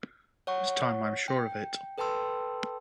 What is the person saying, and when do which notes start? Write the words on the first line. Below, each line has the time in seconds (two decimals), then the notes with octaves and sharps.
This time I'm sure of it!
0.47 C#5 F#5 C#6
1.28 G5
1.98 A4 B4 G5 A5 C6 E6